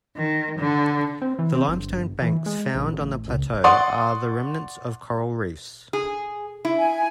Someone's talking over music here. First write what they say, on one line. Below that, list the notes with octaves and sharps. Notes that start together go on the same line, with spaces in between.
The limestone banks found on the plateau are the remnants of coral reefs.
D#3
D3
C4
E3
C4
G1
G1
E3
G#3
A#1
A1
C#2
D5 F#5 C6 C#6 D#6
G#4
E4
G#5